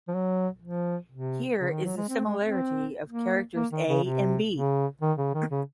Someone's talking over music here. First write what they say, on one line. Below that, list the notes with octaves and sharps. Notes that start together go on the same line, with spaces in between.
Here, is the similarity of characters "a" and "b".
F3
F#3
F3
C3
C#3
D#3
F#3
G#3
C4
G#3
C4
A#3
A#3
D#3
C#3
C3
C#3
D#3
C#3
D#3
C#3